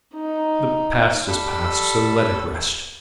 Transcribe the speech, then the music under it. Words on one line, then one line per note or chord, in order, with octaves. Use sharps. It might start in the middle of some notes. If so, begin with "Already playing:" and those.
The past is past, so let it rest.
D#4
G3 A4 B5 E6